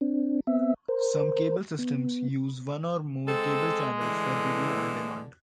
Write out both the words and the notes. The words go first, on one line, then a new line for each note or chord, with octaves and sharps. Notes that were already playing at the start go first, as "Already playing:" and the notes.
Some cable systems use one or more cable channels for video on demand.
C4 D4
B3 C4 E5
A#4 C5
B3
G#3 C4 A4
A2 D3 E3